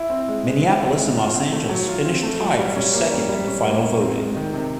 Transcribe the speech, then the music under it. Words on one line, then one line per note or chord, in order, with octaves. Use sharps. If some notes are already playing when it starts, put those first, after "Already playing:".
Minneapolis and Los Angeles finished tied for second in the final voting.
Already playing: E4
C4
G#3
G#3
E4
C4
G#3
F4
C4
A3
F#3
F4
C4
A3
F#3
G3
C#4
A#3
G3
G3
C#4
A#3
G3
C4
G#3
D#3
C3